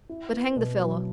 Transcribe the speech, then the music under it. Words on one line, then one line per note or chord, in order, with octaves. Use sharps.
But, hang the fellow!
E4
B3
B2
F#3